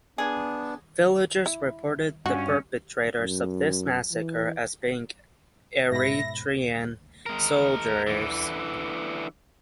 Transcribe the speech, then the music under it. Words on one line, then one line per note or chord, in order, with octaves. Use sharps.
Villagers reported the perpetrators of this massacre as being Eritrean soldiers.
B3 D4 G#4
E4
G2 C#4 F#4
F#2
E3
G#2 B2 E5 B5 A#6
G#3 A#4
D3 E3